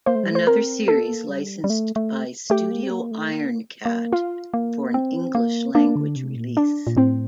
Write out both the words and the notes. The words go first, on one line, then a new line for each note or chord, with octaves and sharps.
Another series licensed by Studio Ironcat for an English-language release.
A#3 C5
A3
G3
A3 C5
C4 A#4
A#3 A4
G3
G3
A3
A3
A3 G4
A#3
C4
A#3
A3
A#3
A#3
F4
A#3
C4
A#3
A#3 D4
D3
C3
A#2
D4
A#2
A2 C4